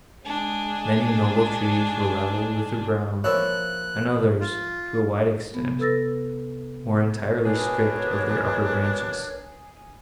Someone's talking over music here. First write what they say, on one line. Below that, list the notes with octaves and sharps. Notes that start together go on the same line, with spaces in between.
Many noble trees were levelled with the ground, and others, to a wide extent, were entirely stripped of their upper branches.
G#3 D4 G#4
F3 A#3 E4 C#5 E6 F#6
F4
C3 B3
A4 B4 E6 A6 A#6
B2 D4 G#4 A#4 B4 C#5